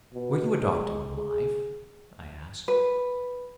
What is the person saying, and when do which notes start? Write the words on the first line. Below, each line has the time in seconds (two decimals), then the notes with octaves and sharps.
"Were you a doctor when alive?" I asked.
0.14 B2
0.59 G#3
1.16 G#4
2.68 B4